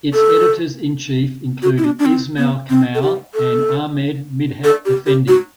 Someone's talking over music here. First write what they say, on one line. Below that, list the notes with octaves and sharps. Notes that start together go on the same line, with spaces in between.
Its editors in chief included Ismail Kemal and Ahmed Midhat Efendi.
A4
F#4
E4
D4
D4
C4
B3
C4
A4
G4
A4
A4
G4
G4
F#4